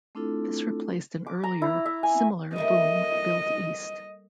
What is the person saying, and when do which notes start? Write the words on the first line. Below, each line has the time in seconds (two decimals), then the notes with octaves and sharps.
This replaced an earlier, similar boom built east.
0.15 A3 C4 D4 E4 F4 A4
1.27 D6
1.44 A#5
1.62 E4
1.86 E5
2.03 G#5
2.56 G3 A3 A#3 D#5